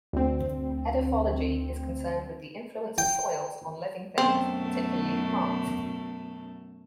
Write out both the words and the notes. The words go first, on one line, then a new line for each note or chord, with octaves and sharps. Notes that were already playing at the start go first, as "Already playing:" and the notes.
Edaphology is concerned with the influence of soils on living things, particularly plants.
D2 C4
G5
F#2 B2 A3 C4